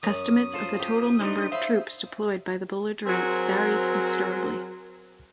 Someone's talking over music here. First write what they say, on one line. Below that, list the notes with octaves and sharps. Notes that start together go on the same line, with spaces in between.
Estimates of the total number of troops deployed by the belligerents vary considerably.
F#2 D#6
F4 A4 C5
G4
D4 D#4 A4 C5
C5 E5 F5 B5
F#3 C4 G#4 A#4 C5